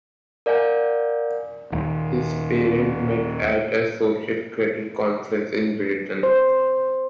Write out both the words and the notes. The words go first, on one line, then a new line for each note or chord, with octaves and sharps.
His parents met at a social credit conference in Britain.
A#4 D5 F5 F#5 G#5 G6
D#1 D#2
C5